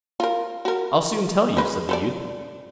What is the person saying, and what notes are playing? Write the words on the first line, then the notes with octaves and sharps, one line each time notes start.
I'll soon tell you', said the youth.
F4 A#4
F#4 A#4
G#3 B4
A4 B4 D5